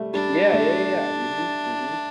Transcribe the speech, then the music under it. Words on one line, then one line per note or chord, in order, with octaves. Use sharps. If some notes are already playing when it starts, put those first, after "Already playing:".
Yeah, yeah, yeah, yeah. Mhm, mhm.
Already playing: G3 A3
G3 D4
A3